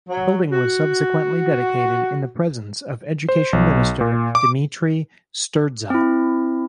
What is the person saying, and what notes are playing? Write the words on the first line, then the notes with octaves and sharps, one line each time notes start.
The building was subsequently dedicated in the presence of Education Minister Dimitrie Sturdza.
F#3
F#4
C5
B1
A#2
D6
C4 E4